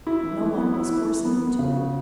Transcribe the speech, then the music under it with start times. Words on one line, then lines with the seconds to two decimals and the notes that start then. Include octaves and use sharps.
No one was forcing him to it.
0.07 E4
0.24 E3
0.41 E3
0.57 B3
0.74 E4
0.91 E3
1.09 E3
1.25 B3
1.42 B3
1.59 C#3
1.76 F#4